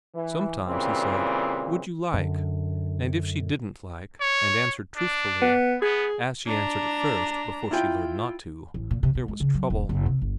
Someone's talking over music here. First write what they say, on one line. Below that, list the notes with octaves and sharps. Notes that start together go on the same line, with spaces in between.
Sometimes he said, 'Would you like----?' and if she didn't like, and answered truthfully, as she answered at first before she learned not to, there was trouble.
E3
A#2 C#3 E3 G3 C4
F#2 D3
C#5
D4
B3
B3 G#4
D4 A#5
E4 F4 G5
A1
A#2
C3
B2
G#3
C#3
F#3
E1
F#1
C3
G1